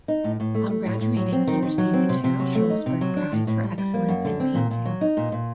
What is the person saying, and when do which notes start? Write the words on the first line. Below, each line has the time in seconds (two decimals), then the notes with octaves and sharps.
On graduating he received the Carol Schlosberg Prize for Excellence in Painting.
0.08 D#4
0.24 A2
0.40 A2
0.55 A3
0.70 A3
0.86 A2
1.01 A2
1.16 F#3
1.32 C4
1.47 D#3
1.62 D#3
1.78 F#3
1.93 C4
2.09 C3
2.24 C3
2.40 F#3
2.55 A3
2.70 D#4
2.86 C3
3.01 F#3
3.16 D4
3.32 A2
3.47 A2
3.63 G3
3.78 G3
3.94 A#3
4.08 F#2
4.25 D3
4.40 C4
4.55 A#2
4.71 A#2
4.85 F#3
5.01 D#4
5.17 A#2
5.32 A#2